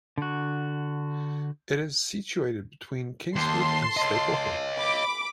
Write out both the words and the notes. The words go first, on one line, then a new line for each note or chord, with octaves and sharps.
It is situated between Kingswood and Staple Hill.
D3 F#4
D#2 A5 C6 C7
C#5 D#5
B5 D6